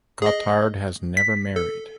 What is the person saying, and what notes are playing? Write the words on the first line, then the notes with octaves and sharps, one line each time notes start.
Gothard has never married.
G#4 D#5
B6
A4